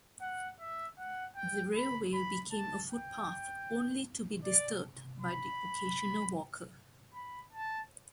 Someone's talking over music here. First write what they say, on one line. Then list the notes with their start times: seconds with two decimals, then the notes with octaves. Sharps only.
The railway became a footpath, only to be disturbed by the occasional walker.
0.21 F#5
0.60 E5
0.98 F#5
1.36 G5
1.75 B5
2.14 B5
2.52 A5
2.91 G5
4.45 D5
5.22 B5
7.14 B5
7.53 A5